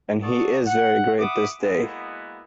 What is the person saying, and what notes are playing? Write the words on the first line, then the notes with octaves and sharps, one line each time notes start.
And he is very great this day.
F#4 A4 D5 C#6 D#6
F#5
E5 F#5 B5 D6 D#6
G#3 A#3 B3 E4 F#4